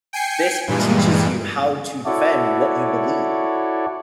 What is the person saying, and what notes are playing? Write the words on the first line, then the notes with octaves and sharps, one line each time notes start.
This teaches you how to defend what you believe,
G5 G#5 C7 C#7
G2 A#2 E3 G3 G#3
E4 F#4 A4 C#5 D5